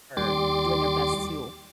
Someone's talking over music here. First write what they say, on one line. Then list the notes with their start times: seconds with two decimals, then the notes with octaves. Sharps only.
are doing their best to
0.17 D#2 G3 C6 D6 A6